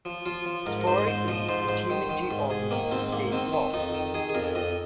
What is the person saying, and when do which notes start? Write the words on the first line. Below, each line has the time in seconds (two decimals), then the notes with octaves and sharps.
Historically, the Gemeindeordnung was state law.
0.05 F3
0.26 F3 F4
0.46 F3
0.66 G#2 A#4
0.81 A#4
0.87 G#2 C5
0.98 D#5
1.07 G#2 C5
1.28 F3 D#5
1.49 G#2 C5
1.68 G#2 C5
1.90 D#3
2.09 D#3
2.31 G#2
2.50 G#2 G#4
2.71 D#3 A#3
2.91 G#2 C4
3.12 G#2 A#3
3.32 D#3 C4
3.53 D#3
3.74 F2 D#4
3.95 D#3
4.14 D#3 G#4
4.29 G#4
4.35 F2 A#4
4.55 F2 D#5